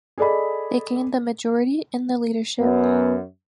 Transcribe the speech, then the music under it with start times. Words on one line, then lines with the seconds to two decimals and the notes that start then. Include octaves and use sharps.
They gained the majority in the leadership.
0.18 G#4 A4 D5 D#5 B5
2.60 F#2 B3